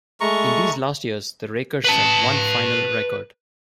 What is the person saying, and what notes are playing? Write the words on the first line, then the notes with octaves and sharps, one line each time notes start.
In these last years, the Rakers set one final record.
G#3 A3 A#5 C#6
B4 A5